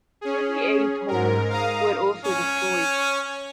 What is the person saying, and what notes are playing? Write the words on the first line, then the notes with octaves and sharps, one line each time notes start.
Thirty-eight homes were also destroyed.
C#4 G#4
G#2 A#4
F5 A#5 D#6
C#4